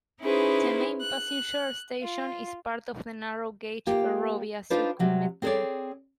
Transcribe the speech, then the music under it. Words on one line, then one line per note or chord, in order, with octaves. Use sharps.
The main passenger station is part of the narrow gauge Ferrovia Circumetnea.
C#4 D#4 E4 G#4 B4 C5
F#6
F4
A#3 F4 G4
D4 D#4 F4 B4 C5 D5
C3 F#3 G3
C4 G#4 A4 B4 C#5 D5